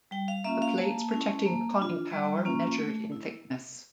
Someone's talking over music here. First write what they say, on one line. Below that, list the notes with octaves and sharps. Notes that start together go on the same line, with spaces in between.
The plates protecting the conning tower measured in thickness.
G3 G5
F5
A#3 C#4 F4 E5
F5
A#3 A5
C#4 E4
A#3
D4 F4
G3
A#3 C#4 F4
A3
E4